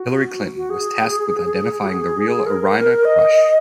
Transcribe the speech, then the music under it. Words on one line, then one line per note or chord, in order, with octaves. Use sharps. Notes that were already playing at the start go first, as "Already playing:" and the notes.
Hillary Clinton was tasked with identifying the real Irina Krush.
Already playing: F#4
F#4
G#4
F#4
G#4
A#4
D#5